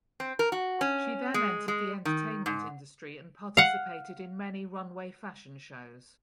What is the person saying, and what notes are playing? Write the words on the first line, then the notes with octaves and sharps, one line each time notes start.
She then entered the entertainment industry and participated in many runway fashion shows.
C4
A#4
F#4
C#4
G#3
G#3
D#3
G#2
F5 F#5